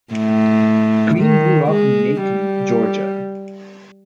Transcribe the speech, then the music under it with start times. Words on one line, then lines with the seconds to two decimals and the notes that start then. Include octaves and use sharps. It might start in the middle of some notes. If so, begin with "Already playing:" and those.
Greene grew up in Macon, Georgia.
0.13 A2
1.18 D#3
1.70 G#3
2.22 G3